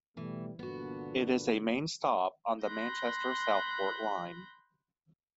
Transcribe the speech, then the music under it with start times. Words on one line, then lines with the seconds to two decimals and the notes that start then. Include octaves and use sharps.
It is a main stop on the Manchester-Southport Line.
0.17 B2 E3 G3 A3
0.59 G1 A#2 D3 B3 F#4
2.65 B5 C6 F#6 G6 A#6